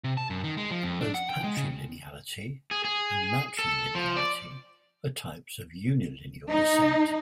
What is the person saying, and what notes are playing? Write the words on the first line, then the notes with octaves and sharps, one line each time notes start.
Both patrilineality and matrilineality are types of unilineal descent.
C3
A5
F#2
D#3
G#3
F3
F2
D4
F#5
G5
G#3
C#3
G#4
G#4
A4
F3
D5
D#4